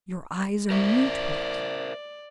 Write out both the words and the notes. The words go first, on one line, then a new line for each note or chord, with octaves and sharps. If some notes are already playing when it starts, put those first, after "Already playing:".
Your eyes are new to it.
A#4 C5 D5 E5